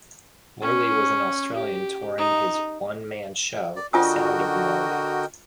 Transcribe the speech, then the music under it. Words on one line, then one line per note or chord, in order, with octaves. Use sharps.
Morley was in Australia touring his one-man show, "The Sound of Morley".
C#4
G4
D#4
D5
D3 F4 F#4 A#4 D#5 G5 G#5 D#6